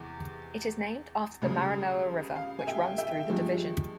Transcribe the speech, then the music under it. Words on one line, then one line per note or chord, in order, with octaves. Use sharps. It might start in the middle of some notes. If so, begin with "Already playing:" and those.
It is named after the Maranoa River, which runs through the division.
Already playing: E2 C3 E3 G#3
C#2 C#3 G3
F5
G#5
E5 G5
E5 G5
G2 F3 G#3